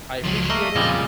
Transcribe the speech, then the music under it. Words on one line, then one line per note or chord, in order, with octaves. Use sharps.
I appreciate it,
C#2 F3 F#3 C6
A3 A#3 A#4 D#5 F5
F2 A#2 C#3 G3 G#3 F4